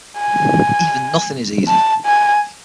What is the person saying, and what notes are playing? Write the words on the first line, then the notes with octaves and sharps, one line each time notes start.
Even Nothing is easy!
G#5
A5
G#5